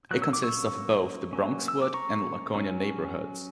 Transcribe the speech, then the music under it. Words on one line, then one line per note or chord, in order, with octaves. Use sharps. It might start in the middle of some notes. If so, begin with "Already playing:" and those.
It consists of both the Bronxwood and Laconia neighborhoods.
F#3 A#3 C#4 F#6
E6
D6
C#6 E6
F#3 A#3 C#4
E6
D6
A#5 C#6
F#3 C#4